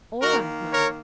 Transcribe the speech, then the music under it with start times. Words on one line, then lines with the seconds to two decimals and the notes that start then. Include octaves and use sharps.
'All right, Mother.
0.22 D#3 A#3 F#4 A#4
0.72 A#4 C#5